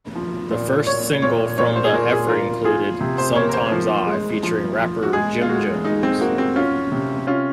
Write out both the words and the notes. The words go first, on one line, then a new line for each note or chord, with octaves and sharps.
The first single from the effort included "Sumtimes I" featuring rapper Jim Jones.
F3
A#2
A#2 C#5
A#2 C#5
A#2 C#5
C5
G#4
A#2 A#4
G#4
F4 A#4
F4 G#4
C3
C5
A#3 C#5
A#4
C5
F3
G#3
F3
F3
F#4
G#3 G#4
F4
G#3 F#4
G#3 D#4
C4
A#3 F#4
C4
C#4 F4
C3
C#4 F4